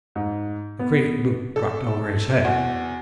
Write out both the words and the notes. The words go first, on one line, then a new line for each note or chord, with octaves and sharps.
The great loop dropped over his head.
G#2
B3
A4
E2 F#4